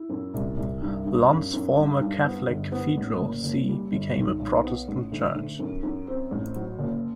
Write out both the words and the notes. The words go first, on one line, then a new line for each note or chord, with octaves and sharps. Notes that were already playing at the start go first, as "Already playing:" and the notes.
Lund's former Catholic cathedral see became a Protestant church.
Already playing: E4
F#2
C2
C2
G2
G2
F#2
F#2
G2
G2
B3
G1
B3
A1
F#1
F#1
G3
G1
B1
B1
B3
A1
D2
D2
F#2
F#2
C4
A1
F#3
F#1